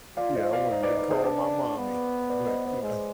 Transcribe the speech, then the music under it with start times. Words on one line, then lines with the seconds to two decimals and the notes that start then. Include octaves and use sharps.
Yeah, I wanted to call my mommy, but, you know
0.17 F4 D5 F5
0.35 C5 D#5
0.53 D5 F5
0.70 D#4 C5 D#5
0.83 B4 D5
0.97 B4 D5
1.10 G#4 C5
1.24 D4 B4 D5
1.77 B3
2.29 B4 D5
2.47 C5 D#5
2.65 C5 D#5
2.83 G#3 C5 D#5